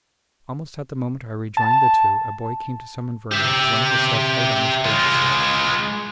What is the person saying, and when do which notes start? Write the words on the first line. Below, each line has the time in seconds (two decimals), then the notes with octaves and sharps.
Almost at the moment I rejoined the two a boy came to summon Werner to one of the sets out on the stage itself.
1.57 A5
3.31 G4 E5
4.85 G#3 F4